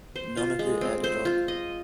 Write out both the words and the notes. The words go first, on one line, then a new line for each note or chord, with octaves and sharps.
None of it added up.
C5
F4
G#3
C4
C5
F4
D#5